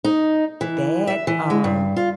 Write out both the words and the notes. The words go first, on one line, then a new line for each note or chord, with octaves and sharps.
dad, um
D#4
E3
E5
E3
G#3
G2
F4